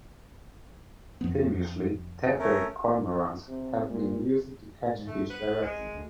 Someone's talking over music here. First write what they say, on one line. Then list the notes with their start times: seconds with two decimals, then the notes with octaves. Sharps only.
Famously, tethered cormorants have been used to catch fish directly.
1.21 F2 F3 B3
2.39 A3 C#4 A#4
3.48 C3
3.90 A#2
4.94 G#2
5.07 G1 A3
5.30 B4
5.62 C2 G#3
5.77 G#1
5.94 D2